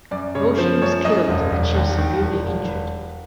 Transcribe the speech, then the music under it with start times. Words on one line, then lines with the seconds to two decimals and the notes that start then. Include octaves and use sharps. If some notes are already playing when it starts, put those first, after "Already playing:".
Voisin was killed, and she was severely injured.
0.11 F#2 D5
0.35 C#3 C#5
0.58 F3 C5
0.81 F#2 C#5
1.05 F#2 D#5
1.28 E1
1.51 E1
1.75 D#2
1.98 D#3
2.21 E1
2.45 E1
2.69 B4